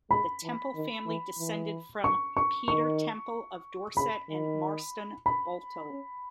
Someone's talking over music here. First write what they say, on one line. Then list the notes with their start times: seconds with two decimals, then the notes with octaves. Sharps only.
The Temple family descended from Peter Temple, of Dorset and Marston Boteler.
0.10 G#3 B5
0.43 E3
0.75 D#3
1.07 E3
1.39 E3
2.04 C#6
2.37 C#6
2.68 D#3 C#6
3.96 C#3 B5
4.29 D#3
5.26 B5
5.90 C#4